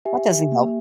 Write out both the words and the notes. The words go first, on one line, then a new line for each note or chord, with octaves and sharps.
That doesn't help.
G4 E5 G#5
A#3